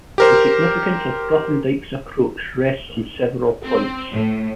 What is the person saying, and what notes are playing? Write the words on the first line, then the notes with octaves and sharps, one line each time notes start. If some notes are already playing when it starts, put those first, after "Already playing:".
The significance of Grothendieck's approach rests on several points.
G4 A#4 C5
C4
A2